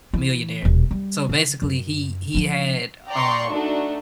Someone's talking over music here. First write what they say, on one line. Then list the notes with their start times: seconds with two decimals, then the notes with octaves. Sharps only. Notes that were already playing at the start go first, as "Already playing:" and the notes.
millionaire, so basically, he he had, um
0.13 E3
0.62 D#1 B2
0.91 G3
1.29 D3
1.62 F#2
2.34 F3 D4
3.09 D5 G5 A#5 C6 C#6
3.50 A3 D4 D#4 F#4